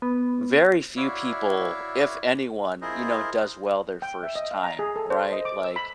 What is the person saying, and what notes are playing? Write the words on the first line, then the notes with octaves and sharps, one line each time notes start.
very few people if anyone you know, does well their first time, right? Like
B3
E4 F#4 C#5 D5 E5 F5
E4 F4 G#4 A#4 C5 D#5
G5
E5
D#5
F5
A#5
G#4
A4
C5
D#5
D6
E6
B5